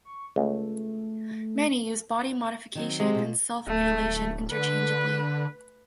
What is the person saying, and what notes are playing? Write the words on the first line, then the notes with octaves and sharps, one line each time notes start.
Many use body modification and self-mutilation interchangeably.
C#6
C#2 A3
D#3 F#3 C4
C3 G#3
B2 F4
D1 A3
D3 B4